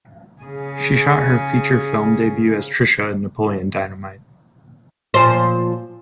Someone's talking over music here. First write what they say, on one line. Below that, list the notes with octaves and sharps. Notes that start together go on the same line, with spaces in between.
She shot her feature film debut as Trisha in "Napoleon Dynamite".
C#3 G#4
A#2 F3 C5